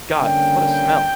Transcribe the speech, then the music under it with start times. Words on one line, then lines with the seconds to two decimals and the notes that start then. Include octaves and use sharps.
God! What a smell!
0.15 D3 G3 A#3 C#4 G5